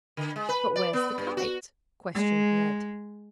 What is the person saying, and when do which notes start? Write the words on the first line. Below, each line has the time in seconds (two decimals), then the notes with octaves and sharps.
"But where's the kite?" questioned Ned.
0.17 D3
0.36 G#3
0.49 B4
0.76 D5
0.93 B3
1.18 G2
1.37 F#4
2.14 G#3